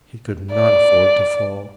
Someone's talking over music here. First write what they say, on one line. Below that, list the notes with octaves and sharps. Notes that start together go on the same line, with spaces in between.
He could not afford to fall.
D5